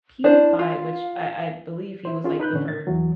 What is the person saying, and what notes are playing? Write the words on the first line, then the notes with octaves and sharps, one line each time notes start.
PewDiePie, which I I believe he was, like, the first
D4 E4 C5
F4 F5
E4 C5
C#4 F4 G#4
D#4 B4 F#6 G6
A2 D3 C#4
A6
E2 E3 F#3